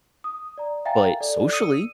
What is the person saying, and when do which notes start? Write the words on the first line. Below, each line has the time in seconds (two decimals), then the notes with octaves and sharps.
but socially,
0.24 D#6
0.58 D5 A#5
0.85 E5 F5 G5 G#5 A#5 A6
1.21 A4 D5
1.53 D#6 E6 C#7 D#7